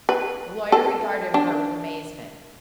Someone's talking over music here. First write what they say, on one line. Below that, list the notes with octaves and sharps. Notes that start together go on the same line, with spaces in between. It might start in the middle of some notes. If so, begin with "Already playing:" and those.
The lawyer regarded her with amazement.
B4
A4
D4